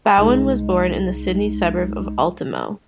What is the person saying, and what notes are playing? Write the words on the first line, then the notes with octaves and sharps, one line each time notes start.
Bowen was born in the Sydney suburb of Ultimo.
C2 G#3 D#4